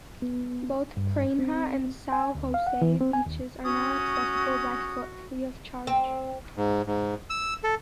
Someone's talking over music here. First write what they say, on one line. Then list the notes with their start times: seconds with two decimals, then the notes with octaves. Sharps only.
Both Prainha and Sao Jose beaches are now accessible by foot, free of charge.
0.22 B3
0.97 G2
1.39 C4
2.12 G#5
2.35 D2
2.54 F5
2.67 F#5
2.82 E3
3.01 C4
3.13 G#5
3.26 D#2
3.65 C#4 F#4 D#6
5.87 C4
6.57 G#2
6.87 G#2
7.30 E6
7.64 A4